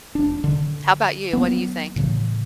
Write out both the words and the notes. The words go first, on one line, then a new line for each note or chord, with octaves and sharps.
How about you, what do you think?
E1 D4
D3
F#3 A#3 B3
A2 C#3 E3